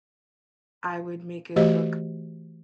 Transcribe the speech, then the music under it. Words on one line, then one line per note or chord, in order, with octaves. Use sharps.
I would make it look
E3 A3 F#4 G4 C5 D#5